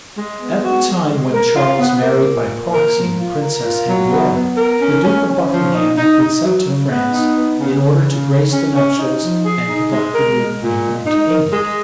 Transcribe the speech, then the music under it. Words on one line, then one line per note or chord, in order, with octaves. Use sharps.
At the time when Charles married by proxy the princess Henrietta, the duke of Buckingham had been sent to France, in order to grace the nuptials, and conduct the new queen into England.
G#3
B3
F#4
G#3
G#3
A#4
F4
B3
A#3
A#2
A#3
A#4
F3
F4
A#4
F4
F#3
B3
B3
A#4
C#4
C#4
C#4
F3
D#4
D#4
D#4
F#3
C#3
B3
D#4
B3
C#3
C#3
C#3
C#4
C#4
C#4
D#4
F3
G#4
D#4
G#3
A#4
G#3
A#2
G#3
D#4
A#4
G#3